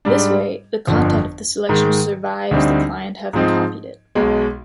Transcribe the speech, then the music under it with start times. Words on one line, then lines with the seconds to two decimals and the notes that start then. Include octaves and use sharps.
This way, the content of the selection survives the client having copied it.
0.05 G#2 G3 D4
0.87 G1 F2 D3 F3
1.69 G#2 D#3 G#3
2.51 D2 D3 G3 C4 D#4
3.33 G#2 F3 C4 D#4
4.15 B1 B2 G#3